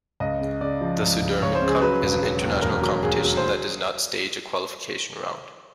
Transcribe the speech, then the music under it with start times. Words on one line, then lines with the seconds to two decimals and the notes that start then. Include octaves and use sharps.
The Sudirman Cup is an international competition that does not stage a qualification round.
0.20 C#2 D#5
0.41 C#3
0.61 C#3 D5
0.81 F3
1.02 C#2
1.22 C#2
1.42 C#2 C#5
1.55 C5
1.62 C#3
1.68 G#4
1.82 F#3 B4
2.02 E1
2.23 F#3
2.42 D#2
2.62 E1 A#4
2.83 F#3
3.03 D#2 G#4
3.24 F#3
3.37 C5